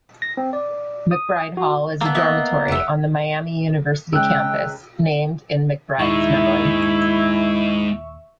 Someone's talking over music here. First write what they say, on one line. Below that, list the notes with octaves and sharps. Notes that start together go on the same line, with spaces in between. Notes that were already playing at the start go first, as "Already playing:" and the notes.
McBride Hall is a dormitory on the Miami University campus named in McBride's memory.
A#6
C4
D5
D#6
F#4
A#3 B3 A4 E5
D#5 E5
F1 E5 F#5
C#2 G5 E6 F#6
D#2 A#2 G#3 D#4 E4 E5 C#6